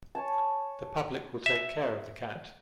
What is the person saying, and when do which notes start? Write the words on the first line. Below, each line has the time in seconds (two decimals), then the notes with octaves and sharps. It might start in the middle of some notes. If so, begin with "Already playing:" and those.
The public will take care of the cat.
0.15 C#5 G#5 A5
1.46 E5